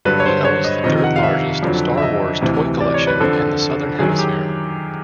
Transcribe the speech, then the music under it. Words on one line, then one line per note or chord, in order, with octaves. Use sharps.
He owns the third largest Star Wars toy collection in the southern hemisphere.
G2 D3 F#3 B4
C#5
C5
C#5
D#5
F2 C3 D#3 D#5
F#5
F5
E5
F2 D3 F#3
E5
D#5
D2 C3 E3
D5
C#5
B4
F2 D3 F3 A4
F#2 D#3 F#3 G#4
G4